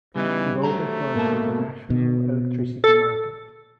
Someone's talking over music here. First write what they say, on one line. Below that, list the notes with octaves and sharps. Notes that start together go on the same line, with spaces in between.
Both are part of the National Electricity Market.
C#3 E3 G3 B3 D#4
F#3 A3 C5 A#5
G#2 B2 A#3 A5
B2
A4